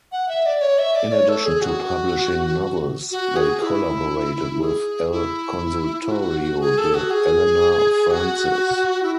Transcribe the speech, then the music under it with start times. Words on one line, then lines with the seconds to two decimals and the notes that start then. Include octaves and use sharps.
In addition to publishing novels, they collaborated with El Consultorio de Elena Francis.
0.12 F#5
0.29 E5
0.46 D5
0.61 C#5
0.79 E5
0.95 D5
1.12 C#5
1.29 A4
1.45 G#4
1.61 F#4
3.12 F#4
3.36 G#4
3.62 E4
4.61 G#4
5.11 E4
6.11 F#4
6.61 G#4
6.78 A4
6.94 F#4
7.11 G#4
8.11 F#4
9.03 E4